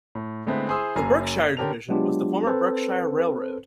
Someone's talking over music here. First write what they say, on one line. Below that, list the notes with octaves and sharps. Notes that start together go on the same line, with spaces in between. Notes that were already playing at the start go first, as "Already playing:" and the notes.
The Berkshire Division was the former Berkshire Railroad.
A2
D3 G#3 A3 B3 C4 E4
E4 G#4 C5 C6 D#6 E6
F#1 F#2 G#5 A#5 C7
D3 C#4 G4 A#4 A5 F7
F#3 G#3 B3 D4 F4 G4
C4 A4 B4 C5